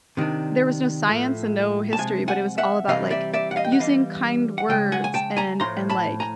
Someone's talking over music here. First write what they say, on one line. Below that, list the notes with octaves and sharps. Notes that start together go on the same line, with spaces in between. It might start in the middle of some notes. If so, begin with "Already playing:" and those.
there was no science and no history, but it was all about like using kind words and and like
C3 D#3 D4
A2 F3 A3
A5
C3 F3 G#3 G#5
F#5 G#5
E5 F#5
C3 E3 G3 D#5 F5
D5 E5
D5 E5
F#5
D#5 F5
G5
F#5
E3 G3 B3 D4 D#5 F5
F#5
C#3 F3 G#3 G5
F#5 G#5
G#5
G5 A5
G#5 A#5
A2 F3 A3 A#5 C6
A5 B5
G#5 A#5